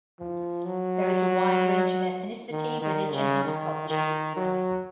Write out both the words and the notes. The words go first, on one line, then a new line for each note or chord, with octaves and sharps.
There is a wide range of ethnicity, religion, and culture.
F3
F#3
D#3
D#3
C#3
D#3
D#3
F#3